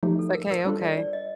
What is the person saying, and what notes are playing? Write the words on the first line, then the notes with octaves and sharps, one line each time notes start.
It's like, "Hey, okay."
F3 A3 D#4 G4
A4
A#4
A#4
G3 D4 F4 A4 C5
D5
D5
D#5